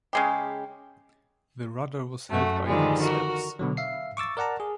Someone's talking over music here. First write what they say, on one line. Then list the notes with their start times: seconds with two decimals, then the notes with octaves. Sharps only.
The rudder was held by themselves.
0.13 C#3 G#3 G4
2.30 F#2 A3 F#4
2.66 D3 D#3 F3 G3 G#3
3.02 F#4 A#4
3.59 B2 D3 F#3
3.77 E5 F5 C7
4.17 C#6 D6 E6 A6
4.37 A#4 D5 F#5 A5 A#5
4.60 G#4